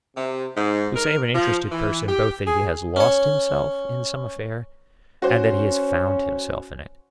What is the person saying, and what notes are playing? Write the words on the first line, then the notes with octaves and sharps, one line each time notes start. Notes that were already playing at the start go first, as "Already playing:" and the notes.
We say of an interested person both that he has lost himself in some affair and that he has found himself in it.
C3
G#2
A#4
F3
E3
G4
G#4
C#4 C#5
C#4 F#4 C5